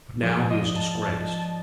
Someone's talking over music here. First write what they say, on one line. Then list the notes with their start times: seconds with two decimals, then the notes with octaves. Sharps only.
But now he is disgraced.
0.23 G#2 F3 D5
0.50 D#5
0.76 A5
1.03 A5
1.29 A5